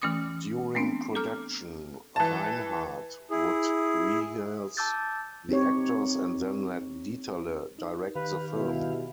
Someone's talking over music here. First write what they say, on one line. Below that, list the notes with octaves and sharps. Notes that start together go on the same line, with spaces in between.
During production, Reinhardt would rehearse the actors and then let Dieterle direct the film.
E3 A3 C#4 D6 D#6
A3 B3 C4 D4
A4 A#5 D6 F6
E3 A5
E4 G#4
A5 D6 E6 G6 A6
C4 D#4 G4 C#5
D#4
D#3 G4 B4 F5
B2 E4